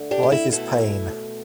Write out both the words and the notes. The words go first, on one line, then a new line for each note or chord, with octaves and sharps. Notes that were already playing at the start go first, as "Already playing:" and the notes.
Life is pain.
Already playing: D3 A3
D4 G4
G4
E4
B2 A3 E4